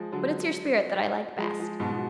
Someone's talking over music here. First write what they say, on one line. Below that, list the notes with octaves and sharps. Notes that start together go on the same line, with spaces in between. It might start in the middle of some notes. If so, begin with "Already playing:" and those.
But it's your spirit that I like best.
Already playing: F3 G#3
D3 F#3
F3 G#3
F3 G#3
G#2 B2
B2